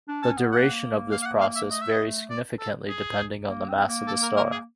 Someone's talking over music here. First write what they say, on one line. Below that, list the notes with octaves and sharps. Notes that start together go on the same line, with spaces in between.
The duration of this process varies significantly depending on the mass of the star.
D4
C#4 A5
B3
A#3 F#5
F5
F5
F#5
F5
E5
A3 D#5
E5
D#5
D5
A4
G#4
A#3
C4
A#3
A4
A#4
A#4
G#4